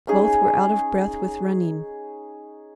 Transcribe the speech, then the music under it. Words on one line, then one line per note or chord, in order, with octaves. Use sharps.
Both were out of breath with running.
C#4 D#4 G#4